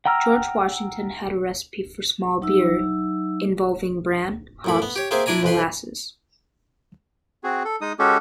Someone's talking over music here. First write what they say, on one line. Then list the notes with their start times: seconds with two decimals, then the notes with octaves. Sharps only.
George Washington had a recipe for small beer involving bran, hops, and molasses.
0.06 F#5 G5 A#5 E6 F6
2.42 F#3 D#4 E5 E6
4.64 F#2 A2 B5
4.82 B3
4.96 G4 C#5
5.11 A#3 C4 G#4 C5 E5
5.26 D4 E4 D5 G#5 A#5
5.43 F2 B2 B4 C6
7.44 C4 F#4 G#4
7.65 A4
7.81 G#3 D#4 D#6
7.99 G#3 C#4 F#4 G4 A4